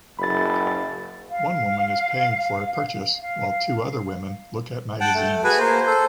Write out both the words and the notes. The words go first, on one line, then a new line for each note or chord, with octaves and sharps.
One woman is paying for a purchase, while two other women look at magazines.
F#1 B5 A6
F5
F5
F#5 G5 A5
A3
F#4 G#4 B4
A#3 C5
A4 C5